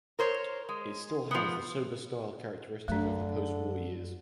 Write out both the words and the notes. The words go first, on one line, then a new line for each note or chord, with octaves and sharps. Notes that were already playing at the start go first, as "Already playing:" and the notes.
It still has the sober style characteristic of the post war years.
A#4 C5 C#5
G#3
F3 B3
F#2 D3 A3 D4